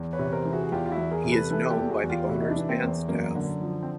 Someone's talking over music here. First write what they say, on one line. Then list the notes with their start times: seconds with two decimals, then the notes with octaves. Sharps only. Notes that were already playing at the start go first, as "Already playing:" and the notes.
He is known by the owners and staff.
Already playing: E2
0.13 B4 C#5
0.19 C3
0.32 A#4 C5
0.45 E3
0.52 F#4 G#4
0.63 G#4
0.72 E2 F4 G4
0.86 F4
0.91 E4 F#4
0.98 E2
1.11 G#4 A#4
1.24 C3
1.31 A4 B4
1.50 E3 A4 B4
1.70 G4 A4
1.77 E2
1.90 F#4 G#4
2.04 E2
2.10 F4 G4
2.29 C3 E4 F#4
2.42 D#4
2.49 D4 E4
2.56 E3
2.69 A#3 C4
2.83 E2
3.08 F#2 A#3
3.35 D3
3.61 F3
3.83 C4